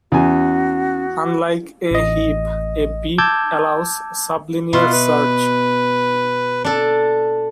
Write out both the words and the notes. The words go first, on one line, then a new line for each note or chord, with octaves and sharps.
Unlike a heap, a beap allows sublinear search.
E2 C#4 F#4 G#5
A1 D#5
A5 D6 E6 G6 G#6
B2 F4 E5 C6
B4
D4 A4